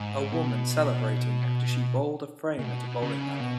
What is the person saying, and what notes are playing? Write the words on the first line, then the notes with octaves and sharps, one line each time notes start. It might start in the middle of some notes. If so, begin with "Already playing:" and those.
A woman celebrating after she bowled a frame at a bowling alley.
Already playing: G#2
B2
C#3
B2
C#3
B2